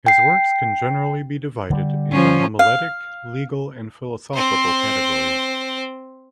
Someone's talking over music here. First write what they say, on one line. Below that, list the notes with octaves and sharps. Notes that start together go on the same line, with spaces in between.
His works can generally be divided into homiletic, legal, and philosophical categories.
G5 C7
D3 G3
F3 C#4
F5
C4 C5